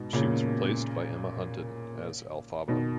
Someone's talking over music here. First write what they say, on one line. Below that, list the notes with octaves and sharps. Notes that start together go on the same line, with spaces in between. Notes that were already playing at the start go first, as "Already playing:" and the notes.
She was replaced by Emma Hunton as Elphaba.
Already playing: G#2 B2
A#2 C#3
B2 D#3